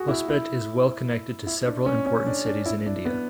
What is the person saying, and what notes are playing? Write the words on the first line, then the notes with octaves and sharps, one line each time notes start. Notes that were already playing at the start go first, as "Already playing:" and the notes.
Hospet is well connected to several important cities in India.
Already playing: F#4 G#4
E4
E4
E4
D4
C#4
C#4
D4
D4
E4
D4
B3